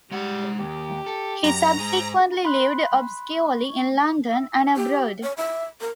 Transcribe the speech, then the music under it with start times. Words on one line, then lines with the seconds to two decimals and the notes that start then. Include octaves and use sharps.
He subsequently lived obscurely in London and abroad.
0.11 G3 G#3 F#5
0.59 D#2 G4
1.06 A4
1.44 F#2 A#5
1.78 G#2 G#4
2.45 B5 C6 F#6
4.76 G4
5.23 C#5
5.37 E5
5.81 A#4